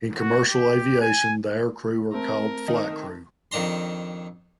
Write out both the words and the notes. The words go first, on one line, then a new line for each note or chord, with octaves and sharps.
In commercial aviation, the aircrew are called "flight crew".
F#4
G4
G#5
A3 C4 A#4
D#3 D#4
F2 D#3 D4 A#5 C6